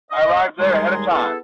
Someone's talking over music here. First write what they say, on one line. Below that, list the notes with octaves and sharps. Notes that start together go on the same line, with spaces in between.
I arrived there ahead of time.
D#5
D#2 G3 G#3 G#4 A#5 C6
B3 E4 G#4 A4